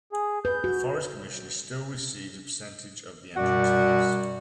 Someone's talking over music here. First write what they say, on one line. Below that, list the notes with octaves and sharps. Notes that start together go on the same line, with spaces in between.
The Forest Commission still receives a percentage of the entrance fees.
G#4
B4 G6
F#4
F#2 B2 G3 F#4 D5 F#5